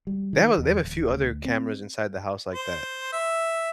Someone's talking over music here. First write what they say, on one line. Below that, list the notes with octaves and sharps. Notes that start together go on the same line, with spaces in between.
They have a they have a few other cameras inside the house like that,
G3
D#3
E2
D1
D2
C4
C5
E5